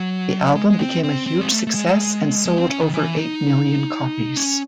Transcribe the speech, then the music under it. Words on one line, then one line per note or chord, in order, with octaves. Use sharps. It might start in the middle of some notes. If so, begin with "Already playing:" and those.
The album became a huge success and sold over eight million copies.
Already playing: F#3
G#3
C4
C4
C4
G#3
A3
A3
G#3
G#3
C4
C#4
D#3
E3
D#4
C#4